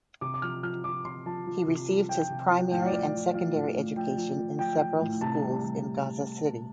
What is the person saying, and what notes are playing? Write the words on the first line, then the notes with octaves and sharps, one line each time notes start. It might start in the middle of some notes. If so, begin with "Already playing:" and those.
He received his primary and secondary education in several schools in Gaza City.
C3 D6
D6
F3 F6
F3 F6
F3 D6
C3 C6
F3 A5
F3
C3
F3
F3 G5
C3
F3
A2 G5
F5
D5
F3 F5
F3
F3 F5
A2
A2
F3 G5
F3
F3
F3 G5
F3
A2
C3 A5
G3
A5
G3